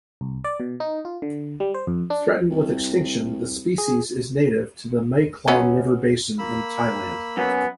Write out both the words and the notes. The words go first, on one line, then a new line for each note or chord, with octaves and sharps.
Threatened with extinction, the species is native to the Mae Klong river basin in Thailand.
C2
D5
B2
D#4
F4
D3
G3
C5
F2
D4
C2
G#4
F#3 B3 C#4
A#3 B5 E6
F#2 B3